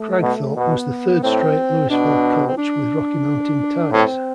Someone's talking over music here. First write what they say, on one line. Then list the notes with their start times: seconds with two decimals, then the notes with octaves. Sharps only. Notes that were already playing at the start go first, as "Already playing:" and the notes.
Kragthorpe was the third straight Louisville coach with Rocky Mountain ties.
Already playing: A3
0.22 B2
0.56 B2 B3
1.23 A2 C4
1.90 B2 D4
2.47 C4
2.58 D4
3.92 A2 C4